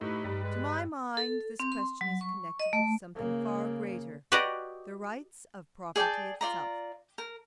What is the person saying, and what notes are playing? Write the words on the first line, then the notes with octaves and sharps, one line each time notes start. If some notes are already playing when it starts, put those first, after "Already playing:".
"To my mind this question is connected with something far greater, the rights of property itself."
A2 D#4 G4 B4
G2 G3
G#3 B4
A4
C4
C6
F#3
C#6
D#5
A3
C#3 A#3
F#4 G4 B4 D5 D#5
G#4 D5 G5 A5
F4 D5 A#5
A#4